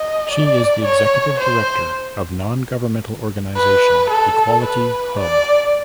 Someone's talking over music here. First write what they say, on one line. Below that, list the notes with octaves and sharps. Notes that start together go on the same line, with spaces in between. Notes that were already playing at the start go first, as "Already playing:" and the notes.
She is the executive director of non governmental organisation Equality Hub.
Already playing: D#5
D5
C#5
C5
B4
A4
B4
D5